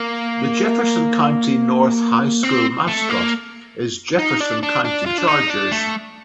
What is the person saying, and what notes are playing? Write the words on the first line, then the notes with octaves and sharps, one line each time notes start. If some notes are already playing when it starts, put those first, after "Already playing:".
The Jefferson County North High School mascot is Jefferson County Chargers.
Already playing: A#3
C4
A3
A#3
D#4
D4
D4
D4
F4
D4
D#4
D4
A3